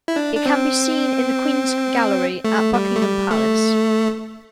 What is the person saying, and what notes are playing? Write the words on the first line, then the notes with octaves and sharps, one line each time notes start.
It can be seen in the Queen's Gallery at Buckingham Palace.
E4
D4
D4
C4
A3
G3
A3
G3
A3